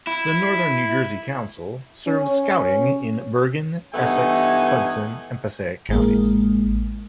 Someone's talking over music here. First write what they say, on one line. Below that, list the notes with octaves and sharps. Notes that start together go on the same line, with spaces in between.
The Northern New Jersey Council serves Scouting in Bergen, Essex, Hudson and Passaic counties.
E4
C#4
G2 E3 A3 B3 D#4 G#5
A1 G#3 A#3